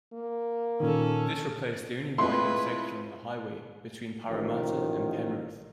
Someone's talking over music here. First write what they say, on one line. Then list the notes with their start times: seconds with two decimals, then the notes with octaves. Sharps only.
This replaced the only winding section of the Highway between Parramatta and Penrith.
0.13 A#3
0.80 A#2 D#3 C#4 A4
2.18 G#3 A3 C4 E4 F4 B4 D#5 C6
4.29 A1 A#2 D#3 F3